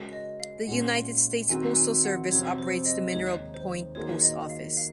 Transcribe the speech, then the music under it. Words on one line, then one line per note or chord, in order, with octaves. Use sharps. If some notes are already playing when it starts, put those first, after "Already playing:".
The United States Postal Service operates the Mineral Point Post Office.
Already playing: C#3 G#3 C#4 F#4 A#4
D#5
F5
A#2 G#3 C#4 F4 F#5
D#3 F#3 C4 F#4 G#5
G#5
F#5
F2 C3 F#3 C4 C#5
C5
D#5
D#2 D#3 G#3 D#4 C#5
C5
D#3 F#3 A#3 F4 G#4 C#5
D#5
F5
F5